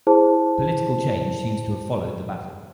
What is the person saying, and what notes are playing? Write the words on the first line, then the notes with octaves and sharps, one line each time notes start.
Political change seems to have followed the battle.
E4 G#4 C5 A5